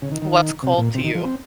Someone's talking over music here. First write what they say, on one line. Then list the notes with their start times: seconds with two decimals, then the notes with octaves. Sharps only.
What's cold to you?
0.02 C#3
0.12 D#3
0.22 D#3
0.63 C3
0.78 A#2
0.95 C3
1.04 D#3
1.15 F3
1.25 C4